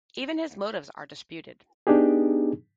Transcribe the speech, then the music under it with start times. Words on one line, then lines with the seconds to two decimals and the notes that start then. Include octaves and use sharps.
Even his motives are disputed.
1.87 B3 D4 D#4 G4 G#4